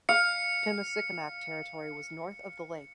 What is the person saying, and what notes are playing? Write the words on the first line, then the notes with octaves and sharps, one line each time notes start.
Pimicikamak territory was north of the lake.
F5 C#7